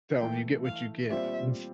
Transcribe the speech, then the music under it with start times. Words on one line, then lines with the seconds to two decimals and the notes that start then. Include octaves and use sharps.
Tell 'em, "You get what you get." That's
0.20 E3 A3 E4 G5
0.65 F5
1.10 A#2 G3 C4 F4 C5 E5